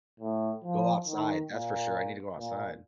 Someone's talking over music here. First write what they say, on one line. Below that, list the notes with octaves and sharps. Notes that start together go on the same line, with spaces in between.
Go outside, that's for sure, I need to go outside.
A2
F3
D#3
A#2
A#2